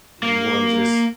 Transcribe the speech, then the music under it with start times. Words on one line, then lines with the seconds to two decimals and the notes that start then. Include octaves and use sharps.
You wanna just
0.23 A#3